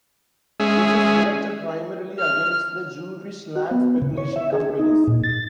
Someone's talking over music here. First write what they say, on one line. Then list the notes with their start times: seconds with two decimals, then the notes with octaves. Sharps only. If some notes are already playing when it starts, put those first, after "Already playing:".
This is directed primarily against the Jewish land-speculation companies.
0.60 G#3 C#4 G#4 E5
2.20 F6
3.56 F#4
3.71 B3
4.02 C#3
4.18 C#5
4.36 E5
4.53 G#4
4.79 D#4
5.07 A#2
5.23 A6